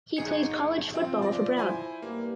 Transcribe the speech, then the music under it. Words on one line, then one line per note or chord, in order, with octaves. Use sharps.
He played college football for Brown.
G1 D#4 G#4 C#7
F3 C4
D5 A#6
E4 C5 G#5
G2 A#3